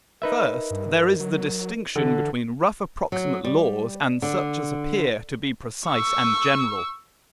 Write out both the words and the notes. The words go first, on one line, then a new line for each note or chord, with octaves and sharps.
First, there is the distinction between rough approximate laws and such as appear to be precise and general.
D#4 A#4 B4 E5
G2
F#3
D3 E3
F#3
G3
D3
C#6 E6